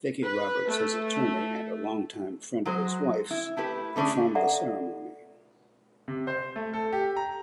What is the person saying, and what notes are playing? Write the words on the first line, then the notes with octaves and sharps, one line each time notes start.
Vicki Roberts, his attorney and a longtime friend of his wife's, performed the ceremony.
B4
A3
F#3 G#3 C5
E4
A3 E4 G4 B4
D3 A3 C#4 D4 G#4
A4 D5 E5 F#5 A#5
C3
C5
A3
A4
G4
A#5